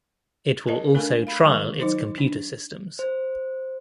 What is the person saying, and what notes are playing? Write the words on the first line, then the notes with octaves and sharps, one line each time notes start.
It will also trial its computer systems.
A#4 B4 C#5 D#5 A5
A3 D4 A4 A#4 F5 G#5
F5 B5
D#3 E3 F#3 G#3 A#4
F#3 D#4 C5
D4
C5